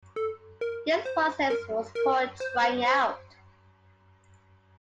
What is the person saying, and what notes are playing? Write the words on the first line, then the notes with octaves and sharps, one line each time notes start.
This process was called "trying out".
A4
A#4
C5
A#4
A#4
C5